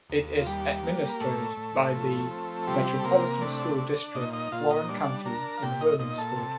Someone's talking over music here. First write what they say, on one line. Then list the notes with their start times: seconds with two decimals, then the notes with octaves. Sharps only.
It is administered by the Metropolitan School District of Warren County in Williamsport.
0.10 D#2
0.37 F4
0.46 G3 G4
0.83 A#3
1.10 A#4
1.20 A2 A3 A4
1.57 A2
1.95 F3
2.31 C4
2.67 C3 G3 G4
2.99 A4
3.05 C3 A#3 A#4
3.41 A3 D4 D5
3.78 D4
4.15 A#2 D#4 D#5
4.33 D#4 D#5
4.52 A#2 F4 F5
4.70 D#4 D#5
4.88 G3 D4 D5
5.25 D4 A#4 A#5
5.58 F5
5.63 A#2 G4 G5
5.81 D#4 D#5
5.99 A#2 D#4 D#5
6.18 A4 A5
6.36 C3